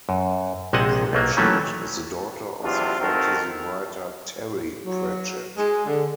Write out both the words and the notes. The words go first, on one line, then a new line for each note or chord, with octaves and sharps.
Pratchett is the daughter of the fantasy writer Terry Pratchett.
F#2
A#1 C3 G#3 C5 D#5 F#5
B1 F#3 A#3
D#3 E3 F#3 A3 A#3 C#4
A1 E2 C3 F#3 D4 F4
F2 D#3 C4 F#4 A4 A#4
F#3
G#3
D3